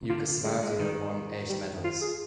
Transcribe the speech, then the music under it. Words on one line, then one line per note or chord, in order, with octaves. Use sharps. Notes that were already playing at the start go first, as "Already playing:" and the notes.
Yugoslavia won eight medals.
C3
D3 F4
G#3
G#3
D#3
G3
F4
G#4